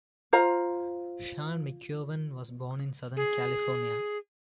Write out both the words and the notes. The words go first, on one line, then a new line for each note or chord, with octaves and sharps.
Sean McKeown was born in Southern California.
F4 C5 F5 A#5
G#4